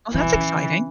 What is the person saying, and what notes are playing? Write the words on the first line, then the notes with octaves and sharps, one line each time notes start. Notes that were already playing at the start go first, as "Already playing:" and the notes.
Oh, that's exciting.
D#3 E3
C3
C#3